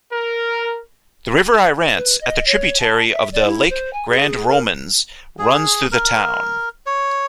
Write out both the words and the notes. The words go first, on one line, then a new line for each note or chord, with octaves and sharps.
The river Irance, at tributary of the lake Grand Romans, runs through the town.
A#4
B4
D#5
C#5
A5
E5
D5
E4
C5
G#5
G#4
A#4
G#4
A#4
C#5